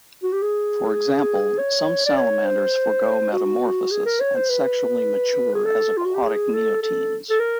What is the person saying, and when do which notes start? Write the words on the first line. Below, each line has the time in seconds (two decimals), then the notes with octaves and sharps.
For example, some salamanders forgo metamorphosis and sexually mature as aquatic neotenes.
0.23 F#4
0.33 G4
0.42 G#4
1.59 C#5
2.06 D5
2.17 C#5
2.46 C5
3.33 F#4
3.92 G#4
4.06 A#4
4.21 C#5
4.35 C5
4.49 B4
5.54 G#4
5.65 A4
5.97 F4
6.06 F#4
6.15 G4
6.24 G#4
6.53 A4
6.82 A4
7.30 A4
7.40 A#4